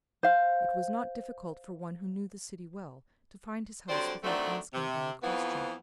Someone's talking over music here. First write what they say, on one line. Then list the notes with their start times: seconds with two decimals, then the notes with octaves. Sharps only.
It was not difficult for one who knew the city well, to find his house without asking any question.
0.23 C5 F5
3.89 D3 F#3 G3 C4 C5 D5
4.23 D3 D#3 F#3 A3 C4 D4
4.73 C3
5.22 F2 E3 F3 B3